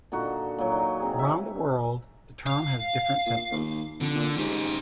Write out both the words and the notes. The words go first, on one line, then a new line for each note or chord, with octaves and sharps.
Around the world, the term has different senses.
A#2 D3 D#4 F#4
A#2 F#3
D#4
C4 G#4
E5
F5
A#2
D#2
F2 D3
A#2
G#2 C#4 G4